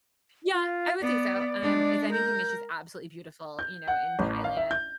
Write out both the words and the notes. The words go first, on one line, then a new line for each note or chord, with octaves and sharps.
Yeah, I would say so, um, if anything, it's just absolutely beautiful, you know, in Thailand
F4
B3 D5
G#3 D4
A#4 G6
G6
F#5
A1
F5
E5
G6